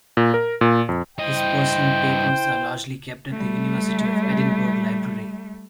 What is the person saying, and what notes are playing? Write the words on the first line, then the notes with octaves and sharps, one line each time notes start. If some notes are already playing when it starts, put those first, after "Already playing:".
His personal papers are largely kept at the University of Edinburgh library.
A#2
A#4
A#2
F2
G2 E4 C5 D#5 G5
G3 A3